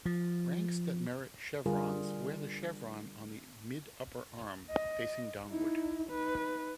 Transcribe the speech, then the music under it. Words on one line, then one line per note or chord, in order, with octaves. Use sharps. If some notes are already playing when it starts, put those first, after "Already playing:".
Ranks that merit chevrons wear the chevron on the mid-upper arm, facing downward.
F3
D3 G3 F4 G#4 A#4
D#5
D#4 E4
D#4 B4